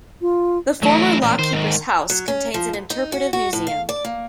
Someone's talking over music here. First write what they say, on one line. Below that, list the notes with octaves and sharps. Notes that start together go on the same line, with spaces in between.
The former lock-keeper's house contains an interpretive museum.
F4
E3 F#3 A3 E4
A1 A#2
D#3 C5
D#2 G#2
F#3
C#4
F3
D2
D#4
F#4
F#4
A2
F5
D5
A#3